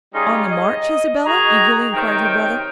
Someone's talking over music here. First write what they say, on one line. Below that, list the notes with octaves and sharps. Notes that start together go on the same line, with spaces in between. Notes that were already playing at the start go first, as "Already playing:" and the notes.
"On the march, Isabella?" eagerly inquired her brother.
G3 C#4 D#4 F4 G#4
D#5
D#3 F#4 G#4 A#5
C3 D#3 F#3 C4 D#4 G5